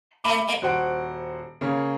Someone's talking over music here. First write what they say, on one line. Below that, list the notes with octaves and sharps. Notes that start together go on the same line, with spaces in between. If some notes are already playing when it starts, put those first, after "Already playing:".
And and
E5 B5 D6
D#1 F#4 C5 F#5 D7
C#3 A#3 C#4